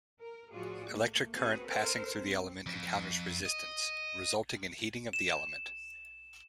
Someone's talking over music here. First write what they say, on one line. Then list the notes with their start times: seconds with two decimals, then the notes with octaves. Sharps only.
Electric current passing through the element encounters resistance, resulting in heating of the element.
0.21 A#4
0.52 A2 F3 F4 F#4 G#4 D5
0.91 A3 A#3
1.35 C4 F#4 G#4 B4
1.68 A4 A#4 C5
2.16 C4
2.66 F2
3.46 D#5
5.13 E7